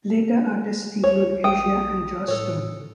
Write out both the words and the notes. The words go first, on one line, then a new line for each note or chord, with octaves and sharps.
Later artists include Asia and Joss Stone.
C#2 C#5
A#1 G5 D#6
A2 A4 C#5